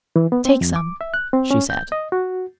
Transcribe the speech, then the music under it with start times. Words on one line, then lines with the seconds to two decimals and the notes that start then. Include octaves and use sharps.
"Take some," she said.
0.16 E3
0.32 B3
0.45 C4
0.61 F2
0.76 D6
1.01 E5
1.14 F#6
1.33 C4
1.51 C#4
1.70 G6
1.92 D#5
2.12 F#4